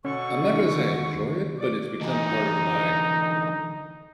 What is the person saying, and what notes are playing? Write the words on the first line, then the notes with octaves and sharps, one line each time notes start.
I'm not gonna say I enjoy it, but it's become part of my,
B2 D3 C#4 C#6
D#3
D5 D6
D3 E3 D#4